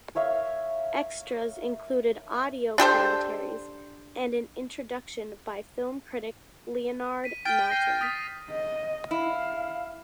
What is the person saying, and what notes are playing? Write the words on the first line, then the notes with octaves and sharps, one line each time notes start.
Extras included audio commentaries and an introduction by film critic Leonard Maltin.
A#4 C#5 E5 F5
D4 G4 A4 C5
B6 D#7
G5 F6 A6
A#6 C7 D#7
D#6 A6 B6
D#5
E4 F5